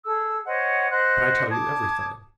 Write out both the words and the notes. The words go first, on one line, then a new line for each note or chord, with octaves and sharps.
"But I tell you everything."
G#4 A4 E6
C5 C#5 D#5 F#5
C5 D#5 F#5 F#6
A5 D6 D#6 G#6